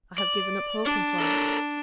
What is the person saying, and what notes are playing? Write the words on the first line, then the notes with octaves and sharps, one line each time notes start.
I have given up hoping for it.
D5
D4
A4 A#4 C#5